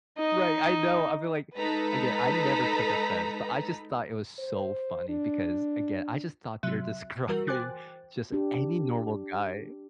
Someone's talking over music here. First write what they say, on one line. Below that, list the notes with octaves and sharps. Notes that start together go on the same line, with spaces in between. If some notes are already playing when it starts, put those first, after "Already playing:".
Right, I know, I feel like again, I never took offense, but I just thought it was so funny because, again, I just thought they're describing just any normal guy.
D#4 D#5
G#3 D#4 A4 B4 A#5 B6
C5
D4
C3 F#3 E5 F#6
E3 G3 F#4 A#4
C5 G5 G#5 D6 F#6 A6
D4 G4